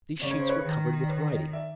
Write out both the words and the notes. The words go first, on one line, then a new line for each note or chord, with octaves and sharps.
These sheets were covered with writing.
C#3 D5
C#5
C5
B4 C#5
D#3
D5
B4 C#5
C#5 D#5
D5 E5